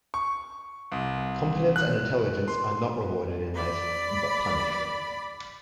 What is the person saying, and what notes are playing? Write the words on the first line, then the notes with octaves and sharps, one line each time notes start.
Competence and intelligence are not rewarded in life but punished.
C#6
C2
F#6
C6
D5 B5